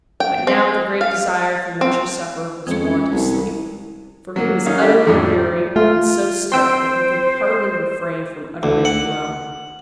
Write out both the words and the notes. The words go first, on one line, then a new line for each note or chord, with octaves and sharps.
But now the great desire from which he suffered was want of sleep, for he was utterly weary and so stiff that he could hardly refrain from uttering a groan.
G5
C4
F5
C4
F2 G#3 C#4
C2
F#3 A#3
C#4 D#4 F5
G3 D4 G4
F2 A2 D3 D4 D#4
A3 F4
C4 C5 G5 C6 E6 G6
D2
F#5